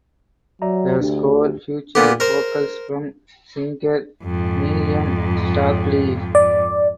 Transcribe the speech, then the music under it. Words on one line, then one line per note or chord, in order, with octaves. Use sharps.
The score featured vocals from singer Miriam Stockley.
F#3 D5 E5 A#5
D2 D4 G4
A#2 B3 G4
A#4 C5
F2 G#2
D5